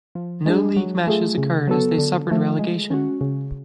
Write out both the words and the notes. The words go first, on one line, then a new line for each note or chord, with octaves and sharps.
No league matches occurred as they suffered relegation.
F3
G#3 D4 G#4
F#3
A3 F4 G#4
C#3
F#3 B3 F#4 A4
D3
F3 A3 F4
G#3
C#4 F#4
C#3